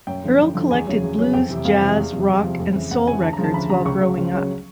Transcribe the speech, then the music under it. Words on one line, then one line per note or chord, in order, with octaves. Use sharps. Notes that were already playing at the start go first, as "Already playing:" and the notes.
Earl collected blues, jazz, rock and soul records while growing up.
F#2 G5
D3 F3
F#2
D3 F3
E2 G#5
C#3 F#3
E2
C#3 F#3
F2 G5
C3 E3
F2 F5
C3 E3
E2
C3 F3
E2
C3 F3
F2
C#3 E3
F2 F#5
C#3 E3 G#5
D2 A5
A#5
C#3 F3
A5
D2 B5
C#3 F3 A#5
C#2 C#6
C#3 F#3
C#2
C#3 F#3